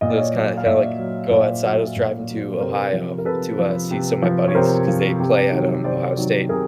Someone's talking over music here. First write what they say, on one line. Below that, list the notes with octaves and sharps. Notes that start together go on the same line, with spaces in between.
It was kind kinda like, go outside, I was driving to Ohio to, uh, see some of my buddies 'cause they play at, um, Ohio State,
A#2 D#5
D5
C#5 D#5
F#3
F5
A#2 D5 E5
F#3
A#2 C5 D5
F#3
A#2
F#3
C3 A#4 C5
F3
A#4
C3 A4 B4
F3
C3
F3
C#5
C3 A#4 C5
F3
C3
D#3 F#3
C3 C5 D5
D#3 F#3
C3 G#4 A#4